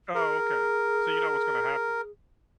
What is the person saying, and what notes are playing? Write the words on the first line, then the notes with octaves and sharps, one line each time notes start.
Oh, okay. So you know what's gonna happen?
G#4 A#4